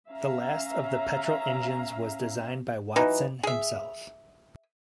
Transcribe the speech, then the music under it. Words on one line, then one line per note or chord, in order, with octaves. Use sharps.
The last of the petrol engines was designed by Watson himself.
C#4 E5 F5 A#5
E3 F#3 D#4
G#4 E5